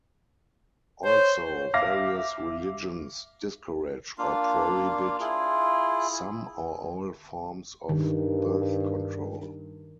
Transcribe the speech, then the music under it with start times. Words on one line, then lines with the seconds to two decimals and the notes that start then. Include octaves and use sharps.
Also, various religions discourage or prohibit some or all forms of birth control.
1.05 C5 C#5
1.74 E5 F5 D6 F6 A#6
4.18 A#3 D4 F4 F5
5.20 E4 F4 G#4
7.89 G2 D#3